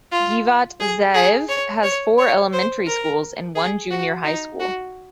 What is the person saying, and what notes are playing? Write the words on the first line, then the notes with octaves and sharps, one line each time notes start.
Giv'at Ze'ev has four elementary schools and one junior high school.
F4
G#4
G#4
C#5
C#5
C#5
C5
A#4
G#4
F#4
D#4
F#4